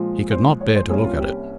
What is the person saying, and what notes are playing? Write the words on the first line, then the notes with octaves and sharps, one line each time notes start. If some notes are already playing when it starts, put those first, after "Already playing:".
He could not bear to look at it.
Already playing: A#2 F3 G#3
C5
C#5
C5
C2 C3 G3 A#3 C#4 G#4
F4
G4